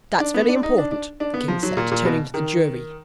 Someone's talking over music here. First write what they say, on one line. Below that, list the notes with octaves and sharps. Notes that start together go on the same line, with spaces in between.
'That's very important,' the King said, turning to the jury.
D4
B3
D4
D#4
D4
D4
D4
B3
F3
F#3
A#2
A#2
B2
D#3